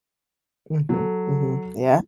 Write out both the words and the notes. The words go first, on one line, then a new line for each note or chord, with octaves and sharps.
Mhm, mhm, yeah.
F#3 A4